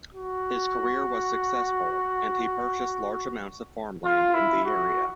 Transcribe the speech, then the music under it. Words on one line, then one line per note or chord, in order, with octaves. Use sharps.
His career was successful, and he purchased large amounts of farmland in the area.
F#4
F4
E4
F#4